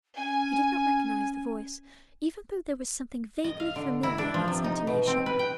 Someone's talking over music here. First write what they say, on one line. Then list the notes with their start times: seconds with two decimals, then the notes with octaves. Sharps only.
She did not recognise the voice, even though there was something vaguely familiar in its intonation.
0.17 C#4 G#5
3.44 D#5
3.60 F5
3.76 D3
4.03 E4
4.18 D4
4.34 F3
4.48 C3
4.64 D#4
4.87 B2
5.07 C4
5.26 B4
5.39 G5